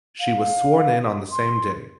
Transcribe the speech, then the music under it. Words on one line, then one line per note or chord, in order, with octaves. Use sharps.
She was sworn in on the same day.
F5
C6